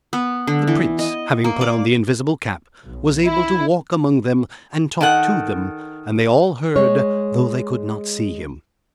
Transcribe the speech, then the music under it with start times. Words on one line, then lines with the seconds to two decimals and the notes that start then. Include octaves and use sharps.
The prince, having put on the invisible cap, was able to walk among them, and talk to them; and they all heard, though they could not see him.
0.13 B3
0.47 D3
0.67 E3
0.99 D#5
1.44 A#3
1.61 D5
2.85 B1
3.27 E4
5.01 D#3 A4 F#5
6.76 G#3 C#5